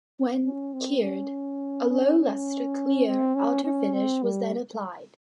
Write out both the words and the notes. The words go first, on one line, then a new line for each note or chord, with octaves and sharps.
When cured, a low-luster clear outer finish was then applied.
C#4
C4
C#4
C#4
C#4
C4
C#4
C#4
C4
G3